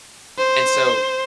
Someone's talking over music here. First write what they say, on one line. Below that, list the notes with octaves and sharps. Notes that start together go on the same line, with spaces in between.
And so,
C5